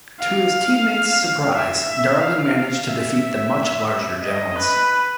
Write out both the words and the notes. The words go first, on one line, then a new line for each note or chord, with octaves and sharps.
To his team mates' surprise, Darling managed to defeat the much larger Jones.
F5
E5
F5
F5
E5
D#5
B4